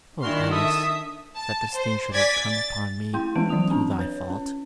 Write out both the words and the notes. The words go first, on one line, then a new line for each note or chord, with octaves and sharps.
"Oh, Alice! that this thing should have come upon me through thy fault!"
A#2 D#3 D4 E4 F#4 C6 F6
A4 E5 D#6
A5
C5
D5 G#5 G#6 A6 B6
A6
A3 E4 G5 C6 G6
E3 G#3 B3 C#4 B4 D7
E3 F#3 C#4 D#6 F7
C4 D4 A5
B4 C#5
C#4